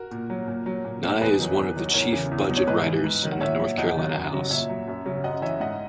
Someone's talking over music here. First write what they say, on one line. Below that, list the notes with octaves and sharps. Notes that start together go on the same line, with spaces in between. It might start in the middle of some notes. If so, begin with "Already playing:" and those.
Nye is one of the chief budget writers in the North Carolina House.
Already playing: F#4 A#4
A#2
F#3
A#2
F#3
A#2
F#3
E2 G#4 B4
D#3 F#3
E2
D#3 F#3
E2 A#4 C#5
C#3 E3
E2
B2 F#3
C#5
G#2 B4 D#5
E3
G#2
D#3 F#3
F#5
A#2 C#5 E5
F#3
E2 D#5 F#5
D#3 F#3
F#2
C#3 F#3
A#2 C#5 E5
F#3
F#2
C#3 F#3
F#2 D#5 F#5
E3 C#5 E5
G#2 D#5 F#5